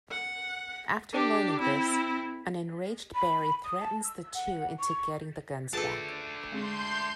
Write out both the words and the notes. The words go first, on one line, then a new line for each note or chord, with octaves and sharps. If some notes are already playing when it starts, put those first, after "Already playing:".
After learning this, an enraged Barry threatens the two into getting the guns back.
F#5
D4 G4
C4 E4
B5
D#6
A5
E6
F#5
C#6
A3 D4 F4 G#4 A4 B4 A5
G#3 C4 G#4 C6 G6